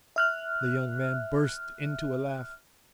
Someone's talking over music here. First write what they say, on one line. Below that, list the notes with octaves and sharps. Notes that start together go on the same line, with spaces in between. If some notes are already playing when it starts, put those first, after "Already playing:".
The young man burst into a laugh.
E5 F6 F#6